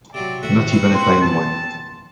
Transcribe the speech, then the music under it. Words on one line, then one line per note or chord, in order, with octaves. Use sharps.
Not even a tiny one.
C3 F#3 D5
D#2 A2 F#4 E5
C4 D#4 B4
C4 B4 C6
A5